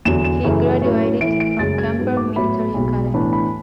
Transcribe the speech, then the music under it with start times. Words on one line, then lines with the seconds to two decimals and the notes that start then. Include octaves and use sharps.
He graduated from Kemper Military Academy.
0.05 E2 D3 F#3 E7
0.24 E7
0.44 F#2 C#3 E3 A3 E4
0.82 A2 F#3 C#4 E4
1.21 A2 E3 A3 E4 D7
1.40 D7
1.59 F#2 C#3 G#3 A6
1.78 G#6
1.98 G#2 F#3 B3
2.17 D6
2.36 A2 F#3 B3 E4 B5
2.74 B1 B2 G#3
3.14 A2 E3 B3 D4 B5
3.33 B5